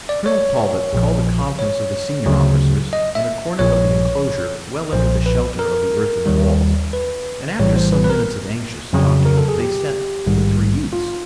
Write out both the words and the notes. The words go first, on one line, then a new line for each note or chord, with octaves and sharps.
Colonel Talbot called a conference of the senior officers in a corner of the enclosure well under the shelter of the earthen walls, and after some minutes of anxious talking they sent for the three youths.
D5
C#5
A#1 A#2 F3
C#5
D2 C#3 F#3
D#5
E5
A#1 A#2 F3 C#5
B1 A#2 F3 C5
B4
A#4
D#2 D#3 G3
B4
A#1 A2 E3 G3 C#5
C5
B4
B4
A#4
F2 C#3 F#3
A#4
A4
G#4
G4
A#1 G#2 D#3 G3
F4